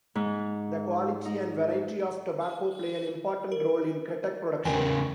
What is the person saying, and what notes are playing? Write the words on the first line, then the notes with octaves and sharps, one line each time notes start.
The quality and variety of tobacco play an important role in kretek production.
G#2
D#4
A#4
E2 C#3 A#4 G5 G#5